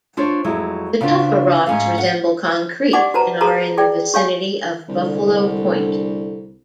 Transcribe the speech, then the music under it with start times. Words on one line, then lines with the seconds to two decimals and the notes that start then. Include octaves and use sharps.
The tufa rocks resemble concrete and are in the vicinity of Buffalo Point.
0.17 D4 F4 C5 C#5
0.44 F2 F#3 G#3 E4
1.01 C#3 B3 C4 D4 D#4 F4
1.67 G#2 C#4 F5
1.98 F#5
2.93 G4 D5 D#5 F#5 G#5 D6
3.14 F#4 B4 C5 A5 A#5
3.41 F#4 G#4 A5 A#5
3.78 G#4 D5 G5
4.14 G4 C#5 F5 G#5
4.88 C2 D3